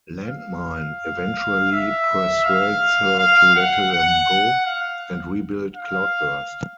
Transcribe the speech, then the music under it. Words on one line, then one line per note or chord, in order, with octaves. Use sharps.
Landmine eventually persuades her to let them go and rebuild Cloudburst.
F5
E5
F5
F5
F#5
F#5
F5
F5